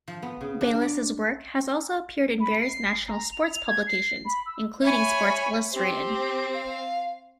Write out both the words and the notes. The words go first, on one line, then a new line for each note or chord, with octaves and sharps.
Bayless's work has also appeared in various national sports publications, including "Sports Illustrated".
F3
B3
C#3
D4
D5
B5
C7
A#5
F7
G#6
C7
B5
E6
C#5 E5 G#5 B5
C4 G4
F5